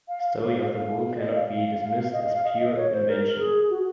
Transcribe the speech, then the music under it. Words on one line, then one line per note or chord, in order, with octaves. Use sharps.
The story of the bull cannot be dismissed as pure invention.
F5
F5
F5
D#5
F5
D#5
F5
F5
F5
D#5
F5
F5
D#5
F5
D#5
C#5
C5
A#4
G#4
F#4